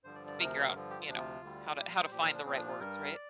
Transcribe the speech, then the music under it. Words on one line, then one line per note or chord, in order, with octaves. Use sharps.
figure out, you know, how to how to find the right words, right?
G2 D3 F3 C5
D5
D5
D2 C3 F3 A#4
G2 D3 F3
G4
F4
D2 C3 F3 D4
F4
D2 D3 G3
A#2 G3 G4
F5
C5
A#2 F3 G4
A#4
D4
A#2 F3 C4
D4
F4
G2 G3 A#4
D5